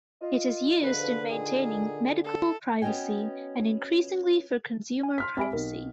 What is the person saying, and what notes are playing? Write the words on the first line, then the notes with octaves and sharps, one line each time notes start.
It is used in maintaining medical privacy and increasingly for consumer privacy.
F4 D#5
G#2 B2 D3 F3 B4
A#2 D#3 G#4
A4
B3 C#4 F#4 D#5 G5 G#5
G#5
C6 F6 B6
C4 G4 E5 G#5 B5 D7
B1 A#4